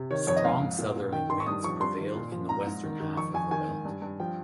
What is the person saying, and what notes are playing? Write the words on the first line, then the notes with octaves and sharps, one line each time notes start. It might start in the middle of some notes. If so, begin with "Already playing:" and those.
Strong southerly winds prevailed in the western half of the belt.
Already playing: C3
D#3 C#5
F2 C#5
D#5
G#2 F5
G#2
A#2
A#2
D#3 G5
D#3 C6
C#6
G2 D#6
F3 C#6
G2 C6
D#3
A#2
F3
G#2 A#5
G#2
D#3
D#3
F2 C#6
F2 G#5
D#3 G#5
G#2
G2
G2
F3 G5